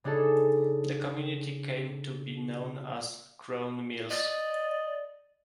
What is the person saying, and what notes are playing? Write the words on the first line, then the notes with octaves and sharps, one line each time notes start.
The community came to be known as Crown Mills.
C#3 D4 D#4 G#4 A4
D5 D#5